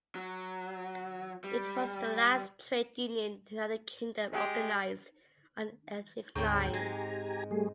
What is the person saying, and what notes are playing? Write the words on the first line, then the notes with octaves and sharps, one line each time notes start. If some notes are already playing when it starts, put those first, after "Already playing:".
It was the last trade union in the United Kingdom organised on ethnic lines.
F#3
G3
G#3 G4
D2 G#2 C4 C#5 G5
G#3 G4 G#5 A#5
G3 A3 G#4